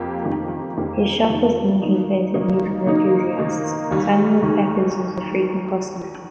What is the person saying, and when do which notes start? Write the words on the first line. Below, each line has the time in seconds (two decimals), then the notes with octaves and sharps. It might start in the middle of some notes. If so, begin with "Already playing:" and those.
His shop was the meeting-place of musical enthusiasts; Samuel Pepys was a frequent customer.
Already playing: F2 A#3 G4
0.25 F2 D#3 A#3 G4
0.77 F2 D#3 A#3 G4
1.30 F2 D#3 A#3 G4
1.82 D#3 A#3 D#4
2.34 D#3 A#3 D#4
2.86 D#3 A#3 D#4
3.38 D#3 A#3 D#4
3.91 D#2 D#3 G3
4.42 D#2 D#3 G3